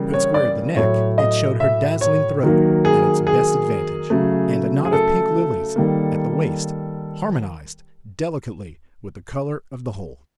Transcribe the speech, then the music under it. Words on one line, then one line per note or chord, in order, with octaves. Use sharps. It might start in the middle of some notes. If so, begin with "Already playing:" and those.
Cut square at the neck, it showed her dazzling throat at its best advantage, and a knot of pink lilies at the waist harmonized delicately with the color of the whole.
Already playing: C#3 E3 G3 A#3
C#5
D5
A2 F#3 A3 C#5
D#5
E5
C#5
D#3 F#3 A#3
G#4
G#4
C#3 F#3 A3
G#4
A4
D#3 G3 A#3